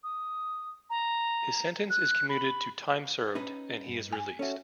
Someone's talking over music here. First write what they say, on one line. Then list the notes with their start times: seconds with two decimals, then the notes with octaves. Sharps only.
His sentence is commuted to time served, and he is released.
0.04 D#6
0.90 A#5
1.90 F#6
2.29 B5
3.35 C#4 D#4 B4
3.88 G2
4.13 G#5
4.39 C#4 F#4 A4 C#5 E5